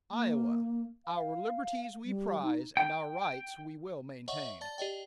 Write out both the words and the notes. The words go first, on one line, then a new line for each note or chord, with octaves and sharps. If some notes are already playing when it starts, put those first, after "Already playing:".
Iowa--Our liberties we prize, and our rights we will maintain.
A#3
F5
G3
D#4
G5
C#5 D#5 E5 F#5 C#6
D5 A5 A6
G4 D5 D#5 G5